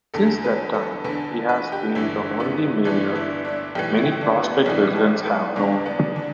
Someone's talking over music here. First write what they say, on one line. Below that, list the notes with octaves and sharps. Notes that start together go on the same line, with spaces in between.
Since that time, he has been the only mayor many Prospect residents have known.
E2 D3 A4
B4
A4
E2 D3 B4
B4
G4
G1 G2 E3 E4
B3
G1 G2 E3 D4
E4
D4
B1 A2 E3 G4
E4
D4
B3
B1 A2 E3 D4
D4
B3
E2 D3 D4
B3
D4